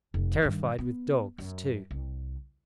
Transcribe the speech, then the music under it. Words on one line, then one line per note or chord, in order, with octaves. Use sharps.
Terrified with dogs too!
F1
G2 D#3
B3
F#2
C2